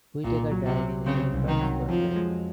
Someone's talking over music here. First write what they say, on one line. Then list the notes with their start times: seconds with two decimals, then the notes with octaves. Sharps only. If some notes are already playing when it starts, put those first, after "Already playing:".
Whittaker died in Edinburgh, Scotland.
0.24 C2 A#2
0.52 F#3
0.66 C3
0.79 C3
1.06 C#3 C4
1.34 C2
1.47 D#3
1.61 F#3
1.89 F2 F3
2.16 G#3